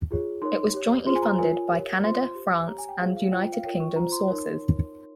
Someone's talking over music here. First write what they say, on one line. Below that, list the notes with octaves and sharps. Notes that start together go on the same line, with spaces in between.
It was jointly funded by Canada, France, and United Kingdom sources.
F4 G#4 C#5
D#4 A#4 C#5 C6
G4 C#5
F4 G#4 C5 C6
G#5
A#5
F4 A#4 C#5 G#5
G4 A#4 C#5
F4 C5 C6
G4 C5
G4 C#5 A#5
G#5
G5
F4 G#4 C5 F5
F5
F4 C5 G5
G5
F5
F4 A#4 C#5 G5
C#6
F4 C5 A#5
C6
D#4 A#4 C#5